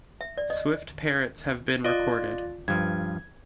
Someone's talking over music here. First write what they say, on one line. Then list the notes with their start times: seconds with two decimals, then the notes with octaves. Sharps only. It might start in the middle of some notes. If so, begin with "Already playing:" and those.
Swift parrots have been recorded.
0.21 E5
0.38 D5
0.50 D#5
1.84 F4 D5 D#5
2.68 G2 F3 G#6